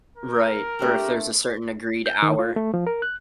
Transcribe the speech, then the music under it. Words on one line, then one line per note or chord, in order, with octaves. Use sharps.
Right. Or if there's a certain agreed hour.
A#4
A3 C4 D4 G4
G6
D#3
F4
A3
F3
A#4
F#6